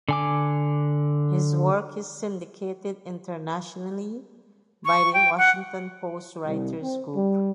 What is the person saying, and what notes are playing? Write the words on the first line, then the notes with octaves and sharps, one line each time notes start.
His work is syndicated internationally by The Washington Post Writers Group.
D3 G#5 D6
C#6
G5
F#5
C2
C4
G3